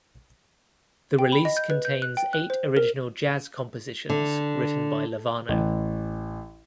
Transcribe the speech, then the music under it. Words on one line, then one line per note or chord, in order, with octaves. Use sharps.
The release contains eight original jazz compositions written by Lovano.
G5
B5
D#5
G6
B4
G6
F#6
G5
F#6
C5
A#4
D3
A1